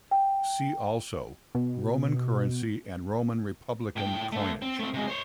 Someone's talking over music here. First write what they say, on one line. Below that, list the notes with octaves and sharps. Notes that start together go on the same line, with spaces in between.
"See also:" Roman currency and Roman Republican coinage.
G5
B2
A2 G5
D3 A3
C4
A3 C4
C3 G#3
C5 C#5